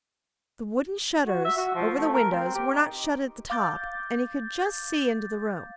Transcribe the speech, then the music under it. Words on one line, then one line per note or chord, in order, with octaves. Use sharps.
The wooden shutters over the windows were not shut at the top, and he could just see into the room.
F#4
E5
F#4
F3
A3
A#4
C4
G4
D#4
F5 D6 G6 A6